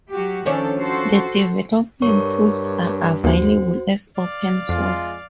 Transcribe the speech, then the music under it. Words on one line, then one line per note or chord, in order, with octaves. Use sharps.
The development tools are available as open source.
F#3 F#4 G4
D#3 F3 C#4 D4 A4
F#4 A4 C5
G2 A#4 C#5 C#6
D#2 F#4 C5
D5 F5
F2 G#3 F4 C7